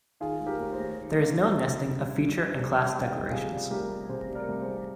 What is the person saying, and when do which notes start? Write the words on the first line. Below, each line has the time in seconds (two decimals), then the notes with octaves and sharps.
There is no nesting of feature and class declarations.
0.20 D#3 F4 G#4
0.40 G#3
0.46 G4 A#4
0.60 D#2
0.72 G#4 C5
0.79 D#2
0.99 D#3
1.18 G#3
1.37 D#2
1.56 D#2
1.76 D3
1.96 G3
2.15 G2
2.35 G2
2.53 D3 G#4 C5
2.74 G3
2.93 G2 G5
3.02 F5
3.12 G2 D#5 G5
3.31 C3 F4 G#4
3.51 G3
3.70 C2 G4 A#4
3.90 C2
4.09 C3 G#4 C5
4.29 G3
4.35 A#4 D5
4.48 C2
4.61 G#4 C5
4.68 C2